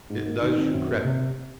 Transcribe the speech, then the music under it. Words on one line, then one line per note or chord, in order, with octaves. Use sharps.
It does you credit.
G#2
A#3
D#3
C4
F#2
A#3
C3